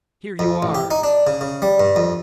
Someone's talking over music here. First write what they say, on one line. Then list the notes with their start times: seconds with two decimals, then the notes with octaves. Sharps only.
"Here you are!"
0.39 F2
0.62 A1
0.75 G4
0.91 D#4
1.03 D4
1.27 C#3
1.41 C#3
1.62 G3
1.80 G2
1.96 F2